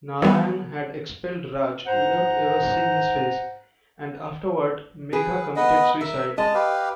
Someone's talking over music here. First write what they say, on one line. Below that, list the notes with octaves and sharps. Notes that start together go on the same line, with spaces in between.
Narayan had expelled Raj without ever seeing his face, and afterward Megha committed suicide.
E3 G3 B3
G#2 C5 F#5 A#5
G#4 B4
B3 B4 D#5
A#4 E5
G#3 D#5 A5
G4 B4 F5